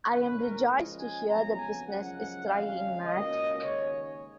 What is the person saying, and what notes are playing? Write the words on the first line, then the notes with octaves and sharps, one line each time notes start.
I am rejoiced to hear the business is thriving, Mat.
A#1 G#2 D#3 A#3 C#4 B4
A#4
C#2 C#3 F3 G#3
G#5
F2 C#3 F#3 B3 A#5
G#5
F#2 C#3 F3 G#3 F#5
F#5
F2 C#3 G#3 F5
C#2 B2 A#3 C#4 D#5
D#2 C#3 G#3 C#5